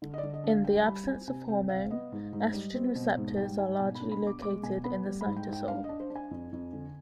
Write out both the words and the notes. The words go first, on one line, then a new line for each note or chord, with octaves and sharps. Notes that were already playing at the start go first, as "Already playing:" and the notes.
In the absence of hormone, estrogen receptors are largely located in the cytosol.
D3
D#5
D3 D5
D#5
D4
F5
G3 G5
G3 B5
C4 G#5
C3 G#5
C3 G5
C3 F5
B3 D#5
G#2
G#2
G3
C4
B2
G#2
G3 G5
G#2 G#5
B2 G#5
B5
D4
B5
B2
D6
G#3 D6
B2 G#5
B3 B5
G3
B5
G#2
G5
G#2 G5
D4 F5
D4 D#5
C5
D4
G#5
F2
F2
D3